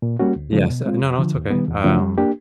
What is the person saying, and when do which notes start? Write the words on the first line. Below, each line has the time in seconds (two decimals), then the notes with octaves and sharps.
Yes uh, no, no, it's okay. Um,
0.02 A#2
0.19 G3 A#3 C#4 F#4
0.36 D2
0.52 C#3 F3 G#3
0.69 B2
0.86 G#3 C4 F4
1.02 F2
1.18 D3 F3
1.35 D#2
1.50 D#3 G3 B3
1.68 E2
1.84 C#3 F3 A3 D4
2.00 G3
2.18 A#3 D4 G4